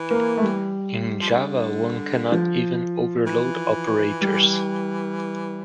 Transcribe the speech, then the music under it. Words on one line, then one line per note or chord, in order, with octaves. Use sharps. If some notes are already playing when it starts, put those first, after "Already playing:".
In Java one cannot even overload operators.
Already playing: E3
A#3
A3
G3
F3
E3
D3
F3
E3
G3